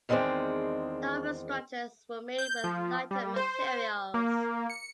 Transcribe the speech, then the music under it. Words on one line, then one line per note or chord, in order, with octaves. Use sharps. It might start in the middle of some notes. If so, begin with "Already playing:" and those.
The upper structures were made with lighter materials.
E2 D#3 G#3 A3 C4 D4
G6
F3
G3
C5
A#3
C#7